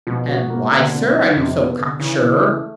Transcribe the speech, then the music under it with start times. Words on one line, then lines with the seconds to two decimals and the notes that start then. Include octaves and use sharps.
"And why, sir, are you so cock sure?"
0.07 B2 F3
0.28 F#4
0.50 A#3
0.71 D3
0.93 C4
1.14 F3
1.31 C#3
1.36 F2 C3
1.57 B3
1.78 D3
2.00 C#3 E3
2.21 E3
2.43 A3